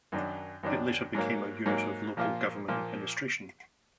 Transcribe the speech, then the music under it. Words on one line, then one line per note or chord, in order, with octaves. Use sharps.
It later became a unit of local government administration.
F#2 D#3 F#3 D4
F#2 D#3 F#3 D4
G#2 F#3 A#3
G#2 F#3 A#3
A#2 F3 A#3 F4
A#2 F3 A#3 F4